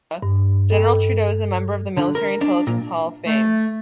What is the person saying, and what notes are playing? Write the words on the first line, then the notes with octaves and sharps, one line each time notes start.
General Trudeau is a member of the Military Intelligence Hall of Fame.
G2
A4
D3
A#4
D4
A#2
A3